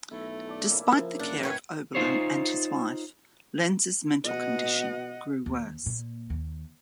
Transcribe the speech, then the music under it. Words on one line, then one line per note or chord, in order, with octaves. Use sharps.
Despite the care of Oberlin and his wife, Lenz's mental condition grew worse.
B1 A3 E4
E4 A4 D5
C#3 A#3 E4
F3
F#1 D4 F5 F#5
A2 B4 C#5 G#5
D#4 F4 C5 C#5
B2 D#5 F#5
D#2
A#2
D#2